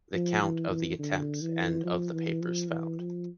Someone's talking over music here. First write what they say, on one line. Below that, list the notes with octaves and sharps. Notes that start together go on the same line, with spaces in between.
The count of the attempts and of the papers found.
F3
E3
E3
D3
E3
F3
E3
F3
E3
F3